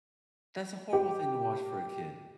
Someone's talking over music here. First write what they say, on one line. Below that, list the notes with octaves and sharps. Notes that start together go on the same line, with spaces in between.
That's a horrible thing to watch for a kid.
G4